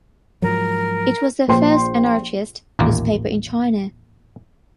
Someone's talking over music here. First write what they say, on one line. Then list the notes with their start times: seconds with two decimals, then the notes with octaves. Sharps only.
It was the first anarchist newspaper in China.
0.42 G#2 F3 F#3 A#4
1.48 A#1 A#2 C5 G5 C6
2.79 A1 D#2 A#2 A#3